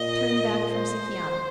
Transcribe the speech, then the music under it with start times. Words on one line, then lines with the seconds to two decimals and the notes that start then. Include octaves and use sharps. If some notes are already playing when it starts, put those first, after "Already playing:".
Turned back from Sikiana.
Already playing: A#2 D#5
0.69 C5